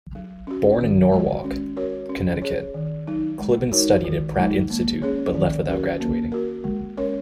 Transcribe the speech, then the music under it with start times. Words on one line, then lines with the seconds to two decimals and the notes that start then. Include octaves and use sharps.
Born in Norwalk, Connecticut, Kliban studied at Pratt Institute but left without graduating.
0.15 F#3
0.47 C#4 F#4
0.79 D#3
1.11 G#3 F#4 C#5
1.44 C#4
1.77 F#4 A#4 C#5
2.09 C#4
2.42 G#4 C#5
2.74 D#3
3.07 F#3 D#4
3.39 G#3
3.72 D#4 F#4 A#4 C#5
4.04 D#3
4.37 G#3 D#4
4.70 A#3
5.02 C#4 G#4 C#5
5.35 D#3
5.67 F#3 C#4 F#4 A#4
6.00 A#3
6.32 F#4 A#4
6.64 G#3
6.97 C#4 A#4 C#5